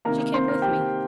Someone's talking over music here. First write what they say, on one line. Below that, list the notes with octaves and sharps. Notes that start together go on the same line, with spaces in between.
She came with me.'
C3 D#3 A#3 A#4 A#5
C5 C6
A#4 A#5
G4 G5